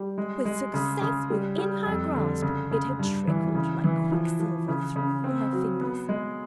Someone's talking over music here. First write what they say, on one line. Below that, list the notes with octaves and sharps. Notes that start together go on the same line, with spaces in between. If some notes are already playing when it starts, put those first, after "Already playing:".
With success within her grasp, it had trickled like quicksilver through her fingers.
Already playing: G3
G#3
G#3
C#3
C#3
G3
G3
F2
D3
C#3
C#3
G2
E3
C#3
E3
F3
F3
C#3
C#3
C4
F#3
B3
G#3